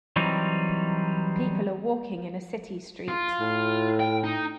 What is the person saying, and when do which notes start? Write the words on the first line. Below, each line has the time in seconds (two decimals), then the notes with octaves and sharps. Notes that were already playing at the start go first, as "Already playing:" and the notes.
People are walking in a city street.
0.16 E3 F#3 G3 C4 D#4
3.08 F4
3.40 A2
4.00 G5
4.24 D#4